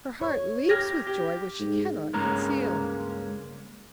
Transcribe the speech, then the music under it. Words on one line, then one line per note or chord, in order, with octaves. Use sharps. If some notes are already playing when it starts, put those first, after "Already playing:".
Her heart leaps with joy which she cannot conceal.
C#5
G4 F6 G#6 A#6
G4
G#2
C#2 G2 G#3 A#3 C#4 A#5